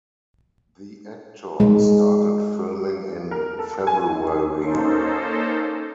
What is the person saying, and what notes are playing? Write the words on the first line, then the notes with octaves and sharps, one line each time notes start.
The actor started filming in February.
G#3
A#4
A4
G#5
A#3 C#4 D#4 A4 C5